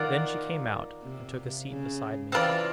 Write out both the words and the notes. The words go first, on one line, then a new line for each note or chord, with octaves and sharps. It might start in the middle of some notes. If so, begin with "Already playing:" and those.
Then she came out, and took a seat beside me.
Already playing: D#3 F4 A#4 D5 F#5
C3
C#3
E3 C4 F4 A#4 D5